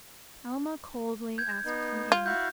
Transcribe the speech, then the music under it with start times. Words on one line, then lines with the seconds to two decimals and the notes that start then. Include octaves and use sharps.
Alma coldly asked him in.
1.38 G6 G#6
1.65 B3 D#4
2.12 F4
2.26 E4 F#4 F5 G6